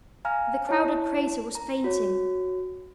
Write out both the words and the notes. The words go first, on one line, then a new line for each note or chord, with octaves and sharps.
The crowded crater was fainting.
F5 G#5 A#5 F6
E4 C#5 A5
A#5
F#4 C#5